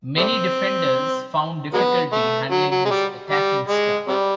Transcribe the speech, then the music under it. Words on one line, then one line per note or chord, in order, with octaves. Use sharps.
Many defenders found difficulty handling his attacking style.
G3 A3 C4
F#3 G#3 B3
A3
F#3
F#3
G#3
G3
G3
G#3
C3 G3